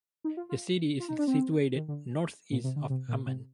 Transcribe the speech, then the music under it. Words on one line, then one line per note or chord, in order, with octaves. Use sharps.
The city is situated northeast of Amman.
D#4
F4
F4
F4
D#4
D4
C4
D#3
D3
A#2
C3
D3
C3
A#2
C3